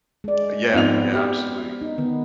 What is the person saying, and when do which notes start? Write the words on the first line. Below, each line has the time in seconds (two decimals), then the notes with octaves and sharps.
Yeah. Yeah, absolutely.
0.24 G#3 D5
0.74 G#2 F3 B3 C4 F7
1.13 G4 F6
1.82 D#4
1.98 D#3 B3